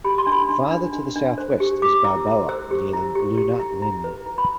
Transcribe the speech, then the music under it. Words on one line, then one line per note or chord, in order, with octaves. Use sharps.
Farther to the southwest is Balboa, near the lunar limb.
G4 B5
C6
D4
B5
D4
D4
D4
D4
C5
G4
G4 D6
E4 E6
E4
C5 E6
G4
E4
G4
G4
E4
E4
B4
E4
B5